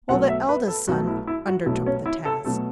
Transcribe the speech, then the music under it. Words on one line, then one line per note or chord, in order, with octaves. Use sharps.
Well, the eldest son undertook the task.
B1 B2 F#3 A3 F#5
E5
B4
A4
B1 B2 F#3 A3 F#4
E4
E4
F#4
B1 B2 F#3 A3 E4
C#4
E4
A4
B2 F#3 A3 A4